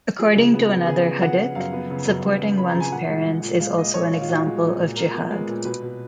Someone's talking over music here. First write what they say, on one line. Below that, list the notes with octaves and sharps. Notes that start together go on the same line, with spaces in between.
According to another hadith, supporting one's parents is also an example of jihad.
F3 G#4
C#3
B3
B3
C#3 G#4
F3
F3 F#5
F3
F#2 F5
B3
C#3
F#2
F#2
C#3
F3 B5
A#5
C#3
G#5
A#2 F#5
G#3
G#3
A#2
G#3 F5
A#2 D#5
A#2 C#5
A#2 F4
F4
A#2 F#4
G#3
A#2
A#2
A#2 A#4
B3
G#3
A#2
B2 B4
B2